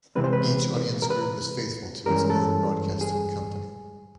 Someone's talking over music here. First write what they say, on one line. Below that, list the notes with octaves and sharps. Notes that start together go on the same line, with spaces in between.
Each audience group was faithful to its own broadcasting company.
C3 E3 G#3 C4 B4
C5
B4
A#4
B4
G2 E3 G#3 C#4 A#4
A4
G#4